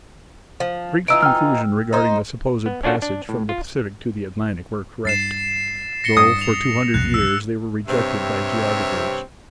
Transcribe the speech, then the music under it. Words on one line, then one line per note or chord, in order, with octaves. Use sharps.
Drake's conclusions regarding the supposed passage from the Pacific to the Atlantic were correct, though for two hundred years they were rejected by geographers.
F3
E3 D#4 F4 E6 D7
G5 E6 F6
D#4 C5
B3
C#4 D4 F4 F#4 A4
D4
A2
F4
G2 A6 C7 E7
A#6 C#7 G7
G2 D#6
F7
B1 F2 C3 F#6
E6
G2 C3 C4 C#5 E5